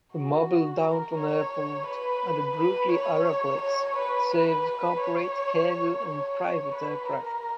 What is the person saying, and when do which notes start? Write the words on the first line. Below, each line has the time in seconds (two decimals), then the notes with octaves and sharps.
The Mobile Downtown Airport at the Brookley Aeroplex serves corporate, cargo, and private aircraft.
0.14 F#4
0.83 A#4
1.18 C#5
1.88 B4
2.57 B4
2.92 C#5
3.62 C#5
3.97 B4
4.31 B4
4.66 B4
5.00 C#5
6.05 C#5
6.75 B4
7.09 A#4